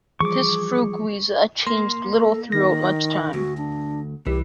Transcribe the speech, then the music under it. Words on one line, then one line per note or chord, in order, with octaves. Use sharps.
This freguesia changed little throughout much time.
E3 F3 G3 G#4 C#6 D6
A#3 C6
A4
D#3 A#6
D2 F#4
D4
C2 E3 G4